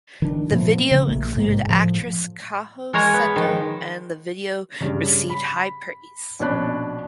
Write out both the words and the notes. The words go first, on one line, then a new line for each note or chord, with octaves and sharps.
The video included actress Kaho Seto and the video received high praise.
D#3 D4
A#2 F3 A3 B3
C#3
A#1 A3 A#3
G#2 C3 G#3 A#3
A2 F3
G#3 A#4 C#5 G#5 A#5
B3
D#3 F3
G2 C#3
B5
A#1 B2 C#4 D4 B5 F#6